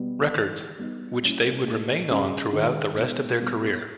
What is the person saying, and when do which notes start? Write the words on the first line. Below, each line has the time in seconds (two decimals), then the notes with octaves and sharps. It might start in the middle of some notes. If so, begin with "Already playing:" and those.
Records, which they would remain on throughout the rest of their career.
Already playing: B2 G3 B3
0.34 E3 G#3 D#4
0.79 G3 B3 D#4
1.22 G3 A#3 C#4 E4
1.65 A#2 G#3 D#4
2.09 C#3 G3 C#4
2.53 D#3 G#3 D#4
2.97 B2 G#3 D#4
3.39 B2 G3 B3